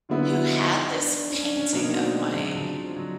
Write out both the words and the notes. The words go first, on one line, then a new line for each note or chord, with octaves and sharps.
who had this painting of my
D3 F#3 B3 E4 F4
D#4
D4
C#4
D4
C#4
B2 F#3 A#3 D4 D#4
C4
G#3
F#3
F3
F#3